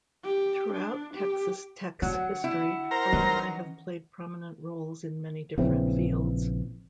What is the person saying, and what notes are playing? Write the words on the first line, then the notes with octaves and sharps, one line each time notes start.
Throughout Texas Tech's history, alumni have played prominent roles in many different fields.
G4
D4
G4
D3 F#3 F#5
E4
A#4 C5 A#5
E3 F#3 C#4 D#4
A#1 C#3 E3 C4